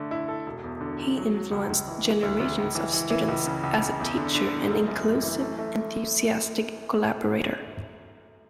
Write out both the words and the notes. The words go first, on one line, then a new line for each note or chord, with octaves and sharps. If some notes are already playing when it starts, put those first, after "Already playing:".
He influenced generations of students as a teacher and inclusive, enthusiastic collaborator.
Already playing: D3 A3
E4
A4
E1
E2
D3
E2
F#3
F#3
C#2
C#2
E3
E3
D2
D2
C#2
E3
E3
E3
C#2
C#3
C#2
C#3
E2
D3
D3
E2
F#1
F#2
F#2
E3
A3
A3